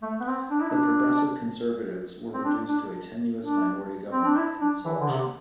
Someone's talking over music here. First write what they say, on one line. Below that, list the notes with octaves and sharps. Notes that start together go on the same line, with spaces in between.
The Progressive Conservatives were reduced to a tenuous minority government in this election.
A3
B3
C4
D4
E4
D4
C4
D4
D4
D4
C4
D4
E4
D4
E3
D3
C3